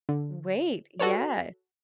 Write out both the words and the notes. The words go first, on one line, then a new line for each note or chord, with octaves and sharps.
Wait, yes.
D3
F#4 A4 B4 C#5 D5